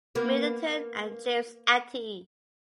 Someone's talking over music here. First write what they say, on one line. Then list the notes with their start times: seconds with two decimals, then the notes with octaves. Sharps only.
Middleton and James Atty.
0.15 A#3 B3